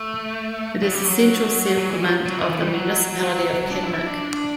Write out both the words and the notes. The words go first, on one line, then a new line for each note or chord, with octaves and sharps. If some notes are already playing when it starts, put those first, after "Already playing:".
It is the central settlement of the Municipality of Kamnik.
Already playing: A3
F#3
G3
F#3
F#3
E3
F#3
F#3
E3
E3
G3
F#3
F#3
D4
E4
E4
D4